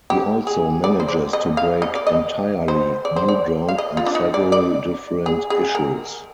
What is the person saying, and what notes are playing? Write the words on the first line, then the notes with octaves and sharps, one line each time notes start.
He also manages to break entirely new ground on several different issues.
G4
G#4
D5
C5
D5
D#5
F5
D#5
D5
D#5
C5
D5
C5
D5
F5
D#5
F4
D4
D#4
D5
D5
G#4
G#4
A#4